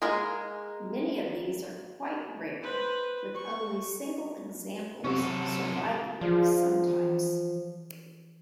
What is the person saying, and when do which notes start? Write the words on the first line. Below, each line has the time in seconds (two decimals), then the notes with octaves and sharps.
Many of these are quite rare, with only single examples surviving of some types.
0.02 G#3 A#3 G#4 A#4
2.62 B4 C5
3.35 C#6
5.04 C3 F#3 C4 C#4 G4 A4 C#6
6.21 F3 F4 G#4 D5
6.87 E3